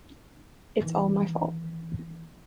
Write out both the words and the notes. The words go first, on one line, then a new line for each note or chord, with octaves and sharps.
It's all my fault.
D#3 E3